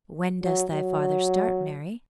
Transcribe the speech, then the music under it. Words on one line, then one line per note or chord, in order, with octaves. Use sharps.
"When does thy father start, Mary?"
F#3
F#3